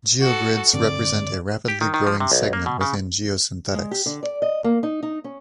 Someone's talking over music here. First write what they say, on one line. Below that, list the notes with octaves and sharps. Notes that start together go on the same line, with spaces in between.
Geogrids represent a rapidly growing segment within geosynthetics.
F#4 A4
G2 D3 C4 D5
G4
D#3
D#3
F3
C3
B1
A#3
B2
C#3
G#3
G4
D3
D5
D#5
A#3
D#4
D#4
C#4